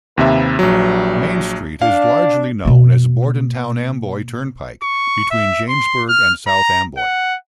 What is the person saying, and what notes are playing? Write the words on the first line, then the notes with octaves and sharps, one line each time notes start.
Main Street is largely known as Bordentown-Amboy Turnpike between Jamesburg and South Amboy.
D#2 C3 F3 B3 B4 E5
A#1 E3 F#3 G3 B4
D4 F5
B2 A#3
C#6
E5
C6
F6
A#5
F#5